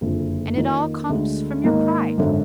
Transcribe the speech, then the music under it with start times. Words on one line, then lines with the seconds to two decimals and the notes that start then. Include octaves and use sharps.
And it all comes from your pride.
0.01 F#1 F2 D3
0.56 F2 D#3 A#3
1.09 D2 D3 G#3 D4
1.64 G#2 D#3 A#3 D#4
2.18 G#1 F#2 D3